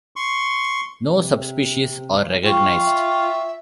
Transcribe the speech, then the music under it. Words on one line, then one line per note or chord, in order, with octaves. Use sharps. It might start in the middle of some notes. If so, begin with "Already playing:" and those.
No subspecies are recognized.
C6 C#6
C3
F4 G5 C#6
E5